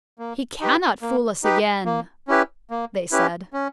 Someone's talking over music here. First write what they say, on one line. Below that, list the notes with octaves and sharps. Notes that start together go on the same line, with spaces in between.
"He cannot fool us again," they said.
A#3
D#4 G4 B4
A#3
D#4 G4 B4
A#3
C#4 E4 G4 B4
A#3
C#4 E4 G4 B4
C#4